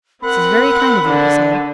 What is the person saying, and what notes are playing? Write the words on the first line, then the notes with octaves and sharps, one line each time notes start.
"This is very kind of you," he said.
C4 A#4 F#5 B5
D3